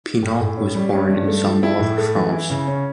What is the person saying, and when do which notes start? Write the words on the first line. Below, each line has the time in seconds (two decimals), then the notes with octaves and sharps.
Pinon was born in Saumur, France.
0.23 A2
0.40 A2
0.57 C#4
0.75 G3
0.93 C#4
1.10 G2
1.28 A3
1.45 F3
1.63 E4
1.79 A2
1.98 A3
2.15 E3
2.33 E4
2.50 C#3
2.67 C#4